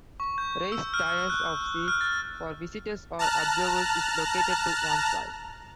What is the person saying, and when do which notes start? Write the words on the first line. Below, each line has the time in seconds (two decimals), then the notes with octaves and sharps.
Raised tiers of seats for visitors or observers is located to one side.
0.20 C#6
0.38 G6
0.72 E6
0.94 F6
1.30 F#6
1.88 F6
2.01 A6
3.19 A5 A#5 F6 F#6